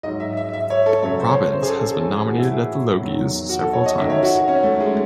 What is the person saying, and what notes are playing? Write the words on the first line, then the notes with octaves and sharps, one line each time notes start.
Robbins has been nominated at the Logies several times.
G#2 F#3 D#5
E5
E5
E5
C#5
A4
F#2 C#3 F#3 C#5
C5
C#5
C5
G#4
A4
A4
G#4
A2 E3 A4
G#4
F#4
E4
E2 D#3 F#3
F#4
A4
C#5
D#5
F#2 D#3 F#3 E5
C#5
F#4
C#4
A3
G#3